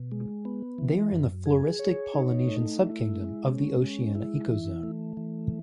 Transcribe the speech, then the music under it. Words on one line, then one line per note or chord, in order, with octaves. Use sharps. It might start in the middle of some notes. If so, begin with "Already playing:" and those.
They are in the floristic Polynesian subkingdom of the Oceania ecozone.
Already playing: B2
G#3
B3
E3
F#2
G#4
C#5
D#4
A3
E4
G#3
C#4
G#3
E4
E3
A3
E3